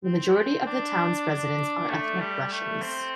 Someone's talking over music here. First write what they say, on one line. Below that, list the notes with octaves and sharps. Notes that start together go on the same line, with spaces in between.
The majority of the town's residents are ethnic Russians.
C4
D4
D4
A3
G3
A3
C4